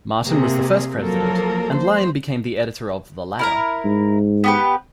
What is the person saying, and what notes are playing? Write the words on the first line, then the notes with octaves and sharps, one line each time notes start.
Martin was the first president and Lyon became the editor of "The Ladder".
C3 A#3 G#4
F3 F#3 A#3 A4 A#4
C5
E4 A#4 A#5
G#2
B3 G4 B4